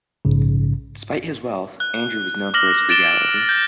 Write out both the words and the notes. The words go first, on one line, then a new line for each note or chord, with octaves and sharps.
Despite his wealth, Andrew was known for his frugality.
A#1 G#2 C#3
F#6
D6 F6 A#6 F#7
A6 D7 E7 G7
G6